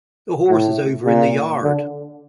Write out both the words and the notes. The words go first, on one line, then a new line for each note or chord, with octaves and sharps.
The horse is over in the yard.
A2
A#2
D3